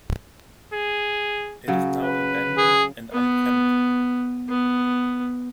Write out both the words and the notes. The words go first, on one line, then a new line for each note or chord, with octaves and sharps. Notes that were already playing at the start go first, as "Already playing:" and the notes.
It is now abandoned, and unkempt.
G#4
C#3 F#3
B4
G#4
B3
B3